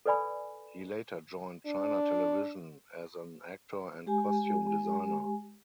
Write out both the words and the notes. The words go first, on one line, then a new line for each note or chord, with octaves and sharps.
He later joined China Television as an actor and costume designer.
A4 B4 D5 G#5 B5
D4
G#3 G4 G#5